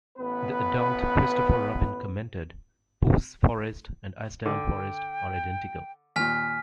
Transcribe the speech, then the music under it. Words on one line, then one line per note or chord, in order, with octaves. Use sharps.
The adult Christopher Robin commented: "Pooh's Forest and Ashdown Forest are identical".
A1 B3 B4
D3 G5
D#2 A#2 G#5 F6 B6